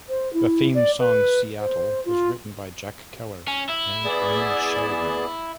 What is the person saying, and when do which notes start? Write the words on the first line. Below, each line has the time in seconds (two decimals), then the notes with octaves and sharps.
The theme song "Seattle" was written by Jack Keller and Ernie Sheldon.
0.09 C5
0.33 E4
0.74 D5
0.99 B4
1.59 C5
2.05 F4
3.47 C#4
3.69 E4
4.05 B3 G#4 D5